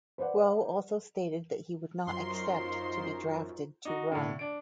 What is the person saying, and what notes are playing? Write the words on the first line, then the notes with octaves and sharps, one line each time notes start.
Guo also stated that he would not accept to be drafted to run.
B4 C5 D5 F#5
F#2 D#4 F4 A#4 C5 C#5 C6
D#4 F#4
A2 D3
D4 D7